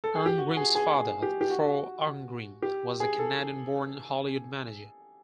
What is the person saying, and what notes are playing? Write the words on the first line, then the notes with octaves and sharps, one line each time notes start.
Arngrim's father, Thor Arngrim, was a Canadian-born Hollywood manager.
A4
G#4
G4
F#4
G#4
G#4
G#4
G4
G4
F#4
G4
G#4
A4